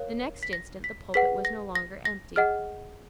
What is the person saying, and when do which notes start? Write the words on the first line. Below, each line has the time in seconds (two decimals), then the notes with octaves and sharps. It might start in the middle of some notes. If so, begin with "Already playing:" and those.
The next instant the pulpit was no longer empty.
Already playing: A#4 C#5 F5
0.43 B6
0.53 A#6
0.84 B6
1.14 G#4 B4 F#5 B6
1.45 A#6
1.75 A#6
2.05 A#6
2.36 G#4 D#5 F#5 F6